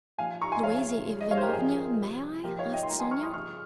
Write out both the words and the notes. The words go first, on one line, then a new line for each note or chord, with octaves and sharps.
"Louisa Ivanovna, may I?" asked Sonya.
A#2 F3 F5 G#5
A#5 C#6
G#5 C6
C#3 F3 C#5 F5
C#3 G3
D#5
C#5 F5
C5
G4 A#4
A#2 F3 G#4
C3 G3
A#2 F3 G4 A#4
C#5 F5
D#5 G5
C6
A#2 G3 G5 A#5
G#5 C6
C#6 F6
C6 D#6
C#3 F3 C#6 F6